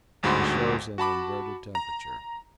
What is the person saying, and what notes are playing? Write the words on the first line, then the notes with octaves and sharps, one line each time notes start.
This shows an inverted temperature.
G1 D2 G#2 F#4 B5 C6
F#4 A5 B5 D6
A#5